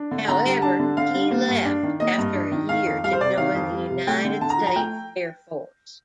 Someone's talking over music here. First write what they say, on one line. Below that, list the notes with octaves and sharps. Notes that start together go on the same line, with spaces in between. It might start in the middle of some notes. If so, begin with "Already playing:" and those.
However, he left after a year to join the United States Air Force.
Already playing: D4
D3
D3 A#5
G3
D4 A5
D3
D3 F5
G3
A#3
G2
D4
D#3
A#3 D#5
G2
D4
D#3
D#3 F5
F2
G3 F5
C5
C3 D5
D#3 F5
F2
G3
C3
A3 G5
D3
D3 A5
A#5
F3
A#5
A3 G5